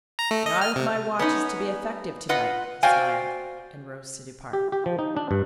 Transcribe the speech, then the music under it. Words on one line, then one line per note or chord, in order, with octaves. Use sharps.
"Not if my watch is to be effective to-night," he smiled, and rose to depart.
A#5
A3
D#5
F6
C3
B3 C#4 D#4
F4 B4 D#5 F#5
F#4 C5 D5 F5 G5 G#5
G4
G4
F3
D#4
D4
G2